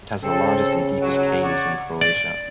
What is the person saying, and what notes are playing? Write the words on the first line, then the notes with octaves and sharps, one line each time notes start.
It has the largest and deepest caves in Croatia.
C#3 C4 A4
F#3
F#4 C#5 D5
D5